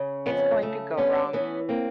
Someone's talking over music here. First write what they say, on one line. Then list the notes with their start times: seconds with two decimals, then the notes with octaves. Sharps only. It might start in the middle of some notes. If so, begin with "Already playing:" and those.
it's going to go wrong,
Already playing: C#3
0.26 F2 B3 C#4
0.62 C#3 A3
0.97 G3 B3 C#4
1.33 E3 B3 C#4
1.69 A#3 C4